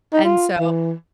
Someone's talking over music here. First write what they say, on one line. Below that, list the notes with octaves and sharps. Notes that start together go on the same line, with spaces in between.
and so,
D#4
F4
E3